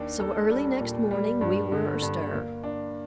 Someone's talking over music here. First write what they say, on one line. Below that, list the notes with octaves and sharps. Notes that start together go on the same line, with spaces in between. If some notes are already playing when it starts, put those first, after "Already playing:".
So early next morning we were astir.
Already playing: D#2 D4
A4
G3
A#2
G3
G2
D3
G2
A#3
D4